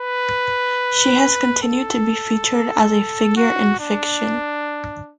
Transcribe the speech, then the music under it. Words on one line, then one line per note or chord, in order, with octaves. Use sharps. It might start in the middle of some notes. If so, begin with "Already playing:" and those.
She has continued to be featured as a figure in fiction.
Already playing: B4
A4
F#4
D4